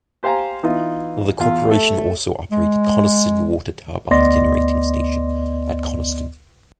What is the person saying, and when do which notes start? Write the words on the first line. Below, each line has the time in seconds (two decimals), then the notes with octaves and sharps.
The corporation also operated Coniston water turbine generating station at Coniston.
0.23 G4 C5 F5 G#5 A#5
0.63 E3 B3 D#4 F4
1.39 E2 F4 F5
1.71 A3 E5
2.51 G#3
4.11 D2 B3 D5 D#5 C6 A#6